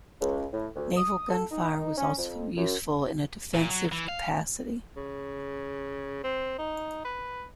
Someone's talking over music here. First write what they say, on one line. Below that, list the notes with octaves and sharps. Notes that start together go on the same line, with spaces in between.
Naval gunfire was also useful in a defensive capacity.
C#2
A2
D2
D#6
A4
D#4
C#4
F2
F#2
A#2
F#3
E3
F5
C#3
C4
D#4
B4